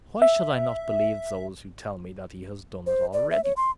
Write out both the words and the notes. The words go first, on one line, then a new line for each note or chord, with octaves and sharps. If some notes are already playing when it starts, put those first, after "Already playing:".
Why should I not believe those who tell me that He has done it already?
E5
C5
D5
E5
C#5
C6